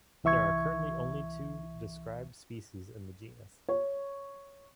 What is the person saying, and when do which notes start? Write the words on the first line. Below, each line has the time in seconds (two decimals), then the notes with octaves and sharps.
There are currently only two described species in the genus.
0.24 C2 E3 E5 C#6 G#6
3.69 C#5